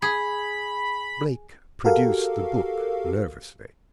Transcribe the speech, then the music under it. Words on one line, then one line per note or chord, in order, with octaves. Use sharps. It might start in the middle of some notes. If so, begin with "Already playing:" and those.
Blake produced the book nervously.
G#4 B5
F#4 G4 A4 A#4 F5